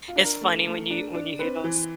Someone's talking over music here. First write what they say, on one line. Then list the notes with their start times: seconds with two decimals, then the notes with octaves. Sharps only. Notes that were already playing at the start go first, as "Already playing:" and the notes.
It's funny when you when you hear those
0.08 F4
0.16 D4
0.24 A#4
0.41 A3
0.66 A3
0.90 D4
1.14 D4
1.39 C4 B4
1.64 E3